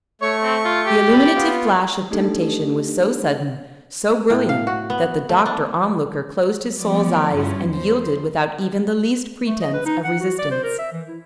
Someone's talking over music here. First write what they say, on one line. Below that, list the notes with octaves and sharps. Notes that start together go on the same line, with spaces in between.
The illuminative flash of temptation was so sudden, so brilliant, that the Doctor-Onlooker closed his soul's eyes and yielded without even the least pretence of resistance.
A3 C#5 C#6
C4
F4
G4
D5 B5
B3 F4
A3 D4 D#4 G4 A4
A2
F5
F#4
B3
A3
D4
F3 A3 B3 D5
G2 C#4 E4 F4
E2 E3 F3 C5
A3
D#5
B4
D#4
F#5
F#4
D5
C5
A#4
E5
E3
E4